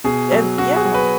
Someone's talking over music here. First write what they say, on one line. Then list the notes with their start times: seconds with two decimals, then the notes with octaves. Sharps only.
And yeah.
0.04 B2 G#4
0.32 F#3
0.58 B2 F#4
0.76 G#4
0.85 F#3
0.94 B4